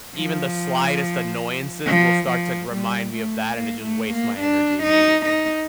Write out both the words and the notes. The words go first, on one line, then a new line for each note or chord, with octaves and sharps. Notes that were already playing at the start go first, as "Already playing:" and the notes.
even the slightest annoyances will start to g remind me of that, and it just wastes my energy immediately.
F3
F3
F3
G3
A3
A#3
A3
A#3
D4
D#4
D#4